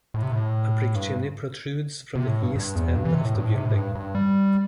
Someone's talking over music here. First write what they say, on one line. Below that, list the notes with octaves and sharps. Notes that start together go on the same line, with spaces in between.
A brick chimney protrudes from the east end of the building.
A2
C3
A2
G2
C3
A2
G2
G2
E2
G2
E3
C3
A2
G2
A2
C3
A2
G2
G2
G3